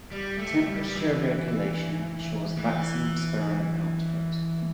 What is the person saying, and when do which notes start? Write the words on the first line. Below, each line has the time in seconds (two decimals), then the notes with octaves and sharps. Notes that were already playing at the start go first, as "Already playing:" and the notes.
Temperature regulation ensures maximum sperm output.
0.11 G3
0.38 A3
0.66 G3
0.82 G3
0.93 E3
2.58 E3